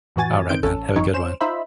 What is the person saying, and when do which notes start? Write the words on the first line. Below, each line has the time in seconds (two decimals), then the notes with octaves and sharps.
Alright, man, have a good one.
0.16 F2 A2 E3 F#4 G#5 A6
0.49 D#3 C4 G6 D7
0.63 A1 C#4 A4
0.96 G1 F2 D#4 C#5
1.14 C#4 C5 E7
1.41 D#4 F4 C5 E5 B5